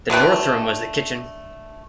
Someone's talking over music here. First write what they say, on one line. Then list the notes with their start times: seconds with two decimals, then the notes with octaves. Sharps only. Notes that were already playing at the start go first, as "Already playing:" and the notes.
The North room was the kitchen.
0.10 D3 A3 B4 G5